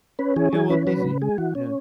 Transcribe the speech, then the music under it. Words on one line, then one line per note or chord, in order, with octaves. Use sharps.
Yeah, well, it's easy. Yeah.
C#4 B4
E3 G#4
E3 G#4
C#4 B4
F#3 B4
C#3
G#3 G#4
E3 F#4
C#4